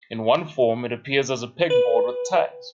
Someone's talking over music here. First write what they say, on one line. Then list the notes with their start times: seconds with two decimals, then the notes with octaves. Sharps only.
In one form, it appears as a pegboard with tags.
1.70 B4